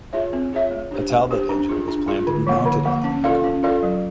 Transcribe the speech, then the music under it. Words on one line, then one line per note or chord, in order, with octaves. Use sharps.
A Talbot engine was planned to be mounted on the vehicle.
F4 G#4 C#5 E5
C4
F4 G#4 C#5 E5
A3
D4 G4 C5
A3
D4 G4 C5
D4
F4 G#4
D4
F4 G#4
D3
F3 A#3
D3
F3 A#3
C#4
F4 A4 D5 F5
C#4
F4 A4 D5 F5
F#3